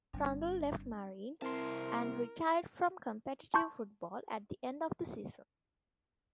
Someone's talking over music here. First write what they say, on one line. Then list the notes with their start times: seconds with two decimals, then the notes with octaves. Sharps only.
Trundle left Marine and retired from competitive football at the end of the season.
0.13 G1 G3 C4 D4
1.42 C2 C4 E4 A#4 A5 C6
3.54 A5 C6 C#6 G6